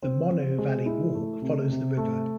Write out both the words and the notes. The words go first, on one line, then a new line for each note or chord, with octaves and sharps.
The Monnow Valley Walk follows the river.
C4
C4
G#3
E4
A3
C3
C3
A3